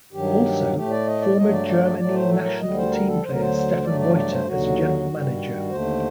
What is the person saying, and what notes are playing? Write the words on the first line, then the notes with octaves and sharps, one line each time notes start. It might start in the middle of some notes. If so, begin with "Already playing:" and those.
Also, former Germany national team player Stefan Reuter as a general manager.
G2 D#3 F#3 G4
A2 A3 G4
D5
D#5
D5
G2 F#3 A3 D#5
D5
D5
D5
A2 F#3 A3 D5
C5
A4
A#4
D2 D3 G3 D#5
C5
A#4
A4
D2 D3 F#3 C5
A#4
C5
G2 F#3 A3 D5
D5
D5
C5
D#2 D3 F#3 F#4
G2 D#3 G3
D#2 D3 A3 C5